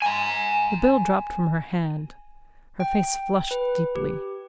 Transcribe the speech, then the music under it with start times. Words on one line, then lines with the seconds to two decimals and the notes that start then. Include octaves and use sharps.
The bill dropped from her hand; her face flushed deeply.
0.02 G#5 A#5
2.80 G5
3.51 B4
3.95 G4